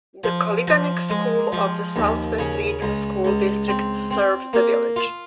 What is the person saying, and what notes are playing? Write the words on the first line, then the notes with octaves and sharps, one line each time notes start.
The Koliganek School of the Southwest Region School District serves the village.
F3
F3
G#3
F3
D#2
C#3
C#2
C#2
C4
C4
A#3
F4